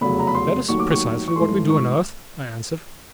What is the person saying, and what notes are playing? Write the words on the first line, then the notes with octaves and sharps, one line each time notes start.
"That is precisely what we do on Earth," I answered.
F1 E2 C#3 F#3 B5
A#5
B5
C6
D#2 D#3 F#3 A3 C#6
D6
C#6
C#6
G#1 G#2 E3 A3 C6
C#6